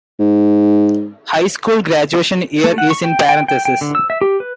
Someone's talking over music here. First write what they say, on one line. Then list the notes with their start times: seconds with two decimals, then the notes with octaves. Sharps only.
High school graduation year is in parentheses.
0.20 G#2
2.64 A3
2.78 F#5
2.90 C#6
3.04 G5
3.29 G5
3.48 G5
3.65 G5
3.81 D3
3.95 E6
4.10 E5
4.21 G4
4.40 B4